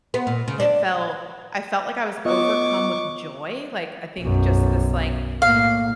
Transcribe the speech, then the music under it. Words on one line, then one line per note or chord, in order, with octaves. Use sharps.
it felt I felt like I was overcome with joy, like, I think just this, like
B3
A#2
C#3
D4
B3 F4 D#5 C#6 D6
B1 F#2
A2 A#3 F5